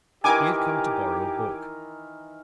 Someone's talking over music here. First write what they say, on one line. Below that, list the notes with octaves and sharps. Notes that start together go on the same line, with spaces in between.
He had come to borrow a book.
D#3 E3 G4 A#4 G#5 D6